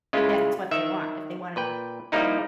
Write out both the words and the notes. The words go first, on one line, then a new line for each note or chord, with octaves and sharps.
if that's what they want. If they wanna
C#3 G#3 C#4 E4 F4
D#3 E5
A#2 B4 G5
F3 G3 A#3 D#4 E4